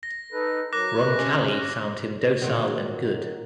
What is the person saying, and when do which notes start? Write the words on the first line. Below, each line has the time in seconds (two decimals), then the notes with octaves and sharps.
Roncalli found him "docile and good".
0.03 A#6
0.32 D#4 A4 B4
0.73 F#3 A#4 D6 F#6 A#6
1.04 C3 G#3 A3 B4
1.19 C#4
2.42 A#2 D#3 F#3